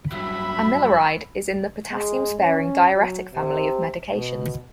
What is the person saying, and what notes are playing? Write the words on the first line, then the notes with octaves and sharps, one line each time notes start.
Amiloride is in the potassium-sparing diuretic family of medications.
G2 F#3 E5 B5
G#3
C#4
F#3
C3
B2